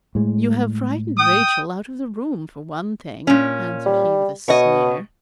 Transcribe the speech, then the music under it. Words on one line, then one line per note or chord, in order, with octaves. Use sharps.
'You have frightened Rachel out of the room, for one thing,' answered he with a sneer.
A2 G#3
G5 D#6
A#2 C#4
G3
B2 C#5 D#5